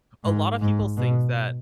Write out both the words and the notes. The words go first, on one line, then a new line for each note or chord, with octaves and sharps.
a lot of people think that
G#2
G#2
B2